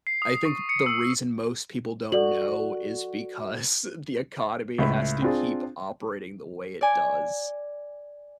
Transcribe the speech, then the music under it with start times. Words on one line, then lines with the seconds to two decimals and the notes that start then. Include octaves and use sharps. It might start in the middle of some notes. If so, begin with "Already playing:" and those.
I think the reason most people don't know is because the economy has to keep operating the way it does,
0.07 C7
0.22 D#6
0.45 C#6
0.69 C#7
0.86 E6
2.12 F#4 A4 D5 F#7
4.78 C#2 A2 E5
5.22 C4 D4 F4 G#4
6.81 D5 G#5